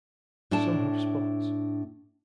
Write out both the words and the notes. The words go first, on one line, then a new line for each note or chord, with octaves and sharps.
Some have spots.
A2 D4 G5 A5